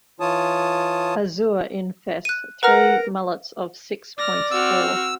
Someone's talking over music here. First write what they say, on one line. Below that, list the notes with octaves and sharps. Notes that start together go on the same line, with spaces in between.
Azure in fess three mullets-of-six-points or.
E3 F4 C#5 A5 D#6
F#6 D#7
A#4 B4 F#5 A#5 F6
D5 F6 A#6
C4 F#4 E6 F6